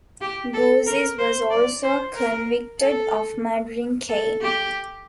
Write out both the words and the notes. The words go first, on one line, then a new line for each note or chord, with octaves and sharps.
Goussis was also convicted of murdering Caine.
G4
A4
A#4
C5
D5
C5
A#4
A4
A4
G4